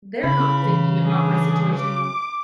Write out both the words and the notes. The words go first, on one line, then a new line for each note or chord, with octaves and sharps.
they're not thinking about my situation,
C#3 E4 B5
E3
D4 G#4
D6